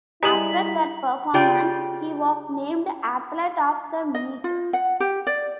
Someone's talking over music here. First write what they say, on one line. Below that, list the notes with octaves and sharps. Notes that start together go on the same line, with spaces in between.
After that performance, he was named Athlete of the Meet.
G3 G#3 E4 A#5 B6 F#7
C#3 F4 G4 D5 G5
D#5
F4
F#5
G4
D5